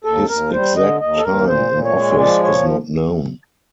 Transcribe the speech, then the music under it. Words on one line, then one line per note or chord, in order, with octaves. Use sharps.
His exact time in office is not known.
D#2 A4
D#2 A#4
G3 C5
D3 D#5
D#2 D#5
A4
D#2 A#4
A#2 C5
A#2
C#5
G#3
F3 D5
A#2 C#5